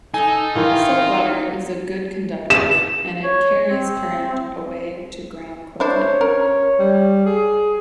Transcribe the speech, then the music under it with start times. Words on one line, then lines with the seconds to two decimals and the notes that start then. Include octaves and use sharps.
Salt water is a good conductor and it carries current away to ground quickly.
0.14 D#4 A4 G#5
0.55 D#3 E3 F4 A#4
2.50 E7
3.24 C#5
3.69 C4
5.80 D4 E4 C5 C#5
6.21 C#4 A#4
6.79 G3
7.26 G#4